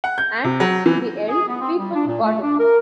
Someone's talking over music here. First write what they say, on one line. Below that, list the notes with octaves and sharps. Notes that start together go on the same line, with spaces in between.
And, in the end, people got it.
F#5
G6
C3
F#3
E3
G#4
B3
C4
G3
D4
A#2
A3
D4
A#4